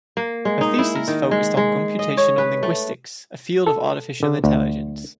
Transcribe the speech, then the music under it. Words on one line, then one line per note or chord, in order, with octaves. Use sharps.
Her thesis focused on computational linguistics, a field of artificial intelligence.
A#3
G#3
D#4
E4
A#4
D#3
G#3
G#3
D#5
C#5
B4
A3
A4
D3
D2